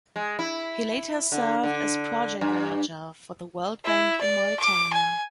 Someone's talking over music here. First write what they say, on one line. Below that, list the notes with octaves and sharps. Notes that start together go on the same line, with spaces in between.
He later served as project manager for the World Bank in Mauritania.
G#3
E4
D3
D3
G2
E4
D5
D6
G#5